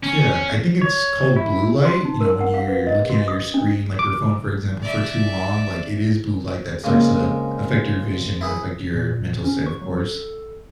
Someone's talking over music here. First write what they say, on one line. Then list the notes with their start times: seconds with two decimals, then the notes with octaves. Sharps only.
Yeah. I think it's called blue light, you know, when you're looking at your screen, like your phone, for example, for too long, like, it is blue light that starts to affect your vision and affect your mental state, of course.
0.03 C#4
0.82 C#5
1.36 E4
1.85 C6
2.05 D#4
2.21 A#4
2.40 F#5
2.54 F5
2.68 B4
2.87 D#5
3.10 F#4
3.28 D#6
3.54 D4
3.99 D6
4.82 D5 E5
6.84 C#3 G#3 A#3 C4 G#5
8.41 E4 G#4 B4
8.94 A#2
9.44 C#4
9.66 C#6
9.81 F#3
9.98 A4